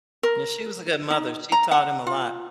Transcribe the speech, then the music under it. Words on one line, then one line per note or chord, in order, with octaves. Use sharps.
Yeah, she was a good mother, she taught him a lot.
A#4
D#4
A#5
F#5
F4